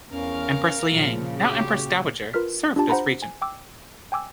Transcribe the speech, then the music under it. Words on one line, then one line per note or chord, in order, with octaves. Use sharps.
Empress Liang, now empress dowager, served as regent.
E2 C#4 A#4 F5
A#2 C#3 F3
F#4 G4
F4 A#4 B4 F6 B6
D4 F4 G4 A5
C5 F#5 A#5 B5
G#5
G5 D6 E6
G5 G#5 D6 E6